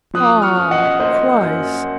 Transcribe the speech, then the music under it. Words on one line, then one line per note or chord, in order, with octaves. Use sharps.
Ah, Christ!
F3 D#6 F#6
C#6 F6
F#2
D#5 F#5
A#3 C5 D#5
F#2